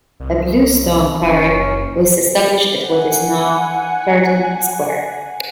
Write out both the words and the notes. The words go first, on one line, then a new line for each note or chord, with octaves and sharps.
A bluestone quarry was established at what is now Curtain Square.
C2
F#1 C#4
F#5 G#5